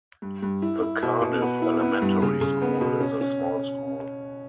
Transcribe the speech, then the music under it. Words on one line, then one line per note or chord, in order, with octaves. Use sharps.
The Cardiff Elementary School is a small school.
G2
G2
E4
E4
B2
B2
B3
E4
B3
G2
C#3
C#3
B3
B2
C#4
C#4